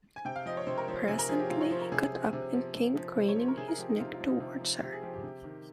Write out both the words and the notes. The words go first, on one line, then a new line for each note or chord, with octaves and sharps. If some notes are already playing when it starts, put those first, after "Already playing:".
Presently he got up and came craning his neck towards her.
G#5
C3 G5
F5
F3 D#5
C#5
C3 C5
A#4
F3 C5
C3 G#5
A#4
F3 G#4
G4
C3 F4
C#5
F3 C5
A#4
C3 G#4
F3
C3
F3
C3
F3
C3
C#5
F3 C5
A#4
C3 G#4
A#4
F3 G4
D#4
C3 F4
F4
F3
D#4
C3
F3
C3 G4
G#4
F3 G4
G4
C3
D#3